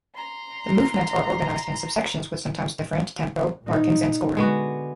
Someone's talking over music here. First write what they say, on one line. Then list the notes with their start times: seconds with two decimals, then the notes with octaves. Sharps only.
The movements are organized in subsections with sometimes different tempo markings and scoring.
0.16 A#5 C6
3.63 A#2 D#4
4.37 D3 G#3 B3 F#4